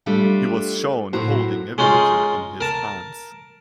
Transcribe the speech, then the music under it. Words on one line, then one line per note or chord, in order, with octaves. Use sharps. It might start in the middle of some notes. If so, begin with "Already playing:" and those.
He was shown holding a villager in his hands.
G3 A3 D4 F4
A2 F#3 A#3 E4 F#4 C5
G#3 C#4 D#4 F4
A#4 A5